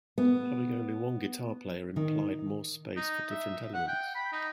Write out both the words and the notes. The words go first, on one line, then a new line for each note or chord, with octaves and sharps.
Having only one guitar player implied more space for different elements.
B3
D#3
D#4
E5
F#5
G5
B5
D#4